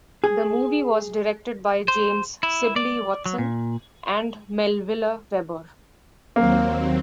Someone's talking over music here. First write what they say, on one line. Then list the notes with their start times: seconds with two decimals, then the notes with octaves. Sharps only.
The movie was directed by James Sibley Watson and Melville Webber.
0.24 G#4
1.88 C5
2.43 E4
2.76 D5
3.26 F#3
3.38 A#2
6.36 D#2 F#3 A#3 C4